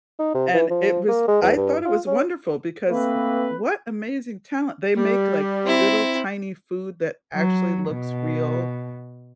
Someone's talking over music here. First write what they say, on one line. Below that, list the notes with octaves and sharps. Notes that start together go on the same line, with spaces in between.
And it was I thought it was wonderful because, w what amazing talent! They make like little tiny food that actually looks real.
D#4
C3
E3
F3
A#3
G#3
E2
G2
F4
C#4
A3 A#3 C4 B4
G3
C4 E4
F#3
B2